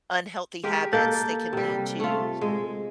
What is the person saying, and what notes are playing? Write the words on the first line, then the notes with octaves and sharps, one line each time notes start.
unhealthy habits, they can lead to,
G#3 G4 A#4
A#3 A4 G6 A6
C3 G3
A3 F4
G#3